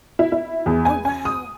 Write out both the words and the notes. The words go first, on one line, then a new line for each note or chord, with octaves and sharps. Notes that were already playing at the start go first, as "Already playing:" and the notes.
Oh, wow.
E4
E4
E2
G#5
G#5
D#6